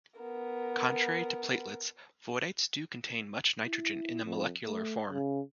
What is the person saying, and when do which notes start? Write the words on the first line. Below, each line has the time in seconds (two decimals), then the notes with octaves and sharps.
Contrary to platelets, voidites do contain much nitrogen, in the molecular form.
0.20 B3 A#4
3.66 E4
4.25 F2
4.67 A3
5.10 C#3